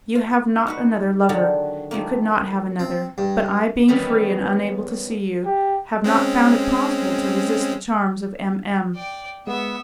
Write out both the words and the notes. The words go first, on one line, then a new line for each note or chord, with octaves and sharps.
You have not another lover; you could not have another; but I being free and unable to see you, have not found it possible to resist the charms of M---- M----.
F4
D#4 F#4 B4
D3 D#3 F#3 D4 G#4
D#3 F3 A3 A#3
C4
G2
D#3 E3 G3 B3 C#4
G4
G#3 C4 C#4
D5 G5
G#3 B3 E5